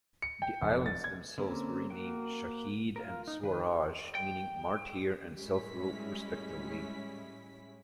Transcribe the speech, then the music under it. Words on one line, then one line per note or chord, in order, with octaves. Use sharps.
The islands themselves were renamed "Shaheed" and "Swaraj", meaning "martyr" and "self-rule" respectively.
C#7
G5
F1
A6
G#6
D3 A#3 C4 C#4
A#3 F#4 G5
F4 A#4
D#4
D#3 B4
G5
A2 G3 G#3 C#4 E4 B6